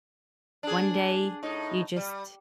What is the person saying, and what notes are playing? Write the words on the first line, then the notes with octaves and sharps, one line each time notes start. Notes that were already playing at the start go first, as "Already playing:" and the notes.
one day, you just
D4 G#4
A2 D#4
G3